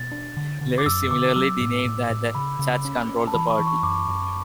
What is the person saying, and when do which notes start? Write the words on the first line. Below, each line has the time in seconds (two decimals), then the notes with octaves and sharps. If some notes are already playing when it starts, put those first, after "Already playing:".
Lewis similarly denied that the church controlled the party.
Already playing: B2 A6
0.12 D4
0.37 D3
0.61 D3
0.78 D6
0.86 F#2 E6
1.11 D3 D6
1.36 F#3 E6
1.61 A2
1.85 A2
2.10 A2
2.35 C#3 B5
2.59 C#3
2.85 C#4
3.09 C#4
3.27 A5
3.34 E3 B5
3.50 C#6
3.59 E3
3.67 C#6
3.83 F#2 D6
4.08 F#2